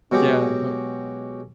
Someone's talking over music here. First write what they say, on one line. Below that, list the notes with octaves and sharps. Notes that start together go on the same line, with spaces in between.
yeah, but
B2 F#3 G#3 G4 G#4